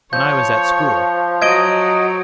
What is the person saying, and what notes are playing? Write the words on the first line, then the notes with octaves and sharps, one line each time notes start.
When I was at school.
F3 C#5 G6
F#3 D#5 G#6 D7